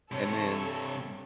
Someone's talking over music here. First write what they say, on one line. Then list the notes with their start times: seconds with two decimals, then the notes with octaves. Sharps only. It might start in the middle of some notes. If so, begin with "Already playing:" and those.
and then,
0.12 G2 C3 A4 C#5 E6